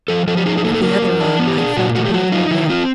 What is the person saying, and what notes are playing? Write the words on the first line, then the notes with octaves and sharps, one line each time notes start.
With the other arm I felt about her neck.
F3 A4
F3 A4
G4
D#4 G#4
G#4
A#3 A4
A4
F#3 A#4
F#3
D4
B3
G4
D4 G#4
A#2 F#4
A3 F#4
G4
F#3 F#4
D#4 F4
D#3 E4
C4 F4